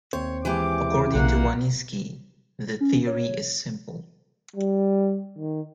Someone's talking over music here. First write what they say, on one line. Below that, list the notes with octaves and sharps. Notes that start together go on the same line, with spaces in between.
According to Wanniski, the theory is simple.
D#2 C4 C5 C#5
E3 G#3 G4 D6
B1 A#3 F#5
C#4
C#5
G3
D#3